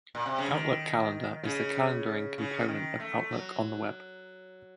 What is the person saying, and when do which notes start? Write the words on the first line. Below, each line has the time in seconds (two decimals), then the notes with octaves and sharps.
Outlook Calendar is the calendaring component of Outlook on the web.
0.15 A#2
0.26 C3
0.38 C#3
0.50 D#3
1.44 C#3
2.38 C#3
2.68 D#3
3.00 A3
3.31 F#3